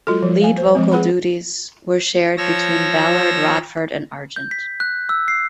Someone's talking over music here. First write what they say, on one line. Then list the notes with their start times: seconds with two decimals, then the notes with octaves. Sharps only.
Lead vocal duties were shared between Ballard, Rodford and Argent.
0.07 F#3 G#3 F4 F#4 A4
0.22 F3 G3
0.41 F5 G#5
0.58 C5
0.75 F3 G#3 C4
0.92 G#4 B4 F#5 B5
2.37 F3 C#5 E6 A#6
4.36 G6
4.51 B6
4.80 F#6
5.09 E6
5.28 C7